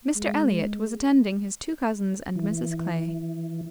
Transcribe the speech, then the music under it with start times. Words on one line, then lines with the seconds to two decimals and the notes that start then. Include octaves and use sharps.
Mr Elliot was attending his two cousins and Mrs Clay.
0.16 G#3
2.36 E3